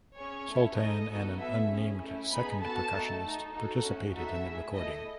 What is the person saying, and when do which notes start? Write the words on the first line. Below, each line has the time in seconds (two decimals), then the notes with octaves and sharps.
Sultan and an unnamed second percussionist participated in the recording.
0.17 C#4 G#4 C#5
0.48 A3 C#4 E4 A4
0.78 D#4 A4 D#5
1.08 B3 D#4 F#4 A4
1.39 B3 E4 A4 E5
1.70 C#4 G#4
2.00 A3 C#4 E4
2.30 B3 D#4 G#4 B5
2.60 B3 F#4 A4 A5
2.90 A3 D#4 F#4 A4
3.22 D#4 A4
3.52 D#4 F#4 A4
3.82 A3 C#4 F#4
4.13 D#4 F#4 A4 E5
4.42 A3 E4 G#4
4.73 A3 E4 A4 D#5